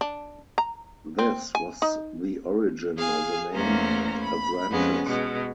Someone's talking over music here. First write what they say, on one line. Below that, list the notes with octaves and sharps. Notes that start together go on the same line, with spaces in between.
This was the origin of the name "Avranches".
D4
A#5
C4
G#5
D#4
G#4 F5 G#5
E2 A3 A#3 C#4 C5 A#5
B5
F2 G#3 B3 C#4
B2 G#3